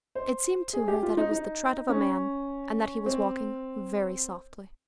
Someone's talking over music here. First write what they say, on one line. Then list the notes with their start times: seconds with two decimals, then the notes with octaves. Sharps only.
It seemed to her that it was the tread of a man, and that he was walking very softly.
0.15 C5
0.73 G#4
0.88 G4
1.03 F4
1.17 D#4
1.31 D#4
1.89 C#4
3.06 C4